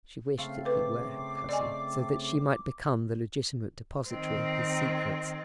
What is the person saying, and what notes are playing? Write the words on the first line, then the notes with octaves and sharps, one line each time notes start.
She wished that he were her cousin, so that she might become the legitimate depository of his secrets.
C#3 A3 C4 F5
A4 B4 D6
D5 D#5 G#5
D#3 C4